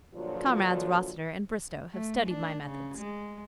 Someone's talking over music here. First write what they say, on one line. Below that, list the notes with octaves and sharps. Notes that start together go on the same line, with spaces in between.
Comrades Rossiter and Bristow have studied my methods.
G2 A#2 D3 F3 F#3
A3
D4
C#3
G#3